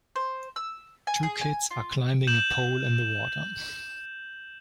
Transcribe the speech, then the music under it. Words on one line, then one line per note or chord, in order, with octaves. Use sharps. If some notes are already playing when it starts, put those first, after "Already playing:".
Two kids are climbing a pole in the water.
C5
E6
G#5
G#4
G#5
F4
G6 E7 F#7